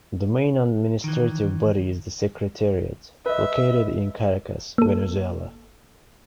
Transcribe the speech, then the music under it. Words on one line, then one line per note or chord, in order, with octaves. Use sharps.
The main administrative body is the secretariat, located in Caracas, Venezuela.
D#3 E3
B4 D#5 E5
A#3 A4